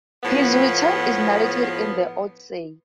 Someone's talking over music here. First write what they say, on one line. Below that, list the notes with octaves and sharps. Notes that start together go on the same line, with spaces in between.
His return is narrated in the "Odyssey".
A2 F3 B3